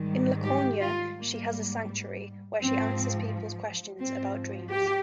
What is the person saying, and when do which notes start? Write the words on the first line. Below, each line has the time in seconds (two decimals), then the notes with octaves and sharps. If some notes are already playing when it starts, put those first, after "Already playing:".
In Laconia, she has a sanctuary, where she answers people's questions about dreams.
Already playing: G#2 D#3 G3
0.46 G4
0.82 F4
1.17 G#2 G3 A#3
2.58 G#2 F3 C4
4.00 G#2 F3 C4
4.71 G4